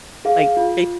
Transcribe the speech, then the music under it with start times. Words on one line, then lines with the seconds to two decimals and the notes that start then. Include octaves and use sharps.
like, they
0.25 G#4 F5
0.57 F4